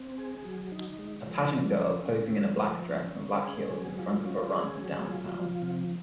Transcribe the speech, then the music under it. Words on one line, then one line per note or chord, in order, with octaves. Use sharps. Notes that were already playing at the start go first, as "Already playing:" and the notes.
A pageant girl posing in a black dress and black heels in front of a run downtown.
Already playing: C4
G#4
F#3
D#4
G#3
F3
F3
C#4
G#3
F3
F3
C#4
C#4
G#4
F#3
F4
C#4
G#4
F#3
F4
F3
C3